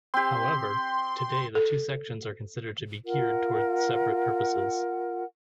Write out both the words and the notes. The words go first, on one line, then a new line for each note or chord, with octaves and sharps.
However, today the two sections are considered to be geared toward separate purposes.
C4 G4 C6
A4
F4 A#4 F#5